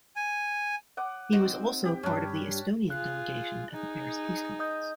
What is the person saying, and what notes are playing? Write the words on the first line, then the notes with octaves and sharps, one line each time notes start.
He was also part of the Estonian delegation at the Paris Peace Conference.
G#5
F#5 D6 D#6
C4 D#4 F#4
G4 G5
G2 G3 C#4 D4
F4 G#4 F#6
D#4 G#4
D#5 D#6 G6